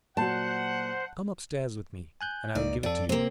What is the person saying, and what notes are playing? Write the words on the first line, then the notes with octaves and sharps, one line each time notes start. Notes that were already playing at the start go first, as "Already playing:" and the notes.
"Come up-stairs with me, and I will give it to you."
A#2 F#3 C5 F#5 A5
G#5 F#6 G6
C#2 A#3 D#4 D5
F2 A4 D5
C3 A#3 C4